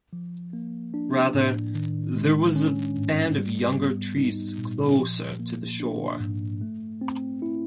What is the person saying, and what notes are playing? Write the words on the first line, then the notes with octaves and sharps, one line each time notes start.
Rather, there was a band of younger trees closer to the shore.
F3
A#3
D4
A2
D#3
G#3
C#4
G#2
G3
B3
D#4
A#2
F3
A#3
D4
G#2
A3
C4
E4